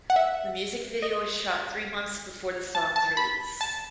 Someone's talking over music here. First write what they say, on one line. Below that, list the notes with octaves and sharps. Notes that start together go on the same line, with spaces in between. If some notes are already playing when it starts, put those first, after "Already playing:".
The music video was shot three months before the songs release.
F#5
E5
D#5
A5
A5
B5
A5